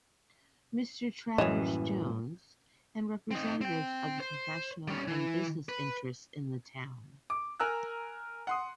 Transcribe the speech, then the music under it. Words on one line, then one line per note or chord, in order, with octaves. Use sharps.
Mr. Travers Jones, and representatives of the professional and business interests in the town.
A1 F#2 A2 E3 G3 A#3 C#5 D#5
C4 D#4
C4 G5
C5
G3 C#4
E3
B4
D6
A#4 G#5 A#5 E6 F#6
F#5 C6 D#6